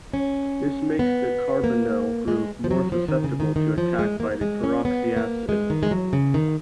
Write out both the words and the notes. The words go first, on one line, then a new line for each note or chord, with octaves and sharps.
This makes the carbonyl group more susceptible to attack by the peroxyacid.
C#4
B3
A#3
G#3
F3
F#3
F3
D#3
C#3
D#3
D#3
F3
G#3
A#3
A#3
G#3
C#4
B3
A#3
G#3
D#3
G#3
F#3
C#3
D#3